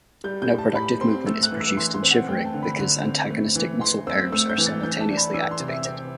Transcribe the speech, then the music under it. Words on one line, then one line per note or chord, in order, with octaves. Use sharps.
No productive movement is produced in shivering because antagonistic muscle pairs are simultaneously activated.
G3 G6
G6
A2
A5
A2 B5
C4 C6
A3 E6
F#6
E3
E6
E3 C6
C6
C4
F#5
A3 G5
A5
D3
B5
D3
C4
A3
E3
E3 C6
C4 E6
A3 E6
G6
E3
A6
E3 G6
A5
D4
B5
E3 E6
C6
C3
E5
C4